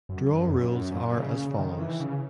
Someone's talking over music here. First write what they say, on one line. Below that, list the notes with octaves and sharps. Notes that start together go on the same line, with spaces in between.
Draw rules are as follows.
F#2
E2
F#2
A#2
C#3
C#3
C#3
D#3
E3
C#3